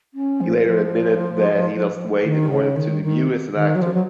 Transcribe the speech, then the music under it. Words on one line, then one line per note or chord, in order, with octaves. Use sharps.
He later admitted that he lost weight in order to debut as an actor.
C#4
F3
F3
D#3
C#3
D#3
D#3
D#3
F#3
F3
F#3